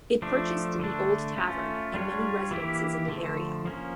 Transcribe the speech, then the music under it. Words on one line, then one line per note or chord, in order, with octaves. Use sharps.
It purchased the Old Tavern and many residences in the area.
F3 A3 D4
D3 A3 D4
A3 C#4 F4
G3 D4 F4 C#5
E3 A#3 E4 G4
D3 F3 A3
F3 A#3 C#4